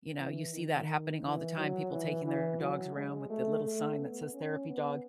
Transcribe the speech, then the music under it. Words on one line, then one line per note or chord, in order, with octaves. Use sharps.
you know, you see that happening all the time, people taking their dogs around with the little sign that says "therapy dog."
E3
D#3
E3
F#3
E3
E3
F#3
G#3
A3
A3
B3
C#4
B3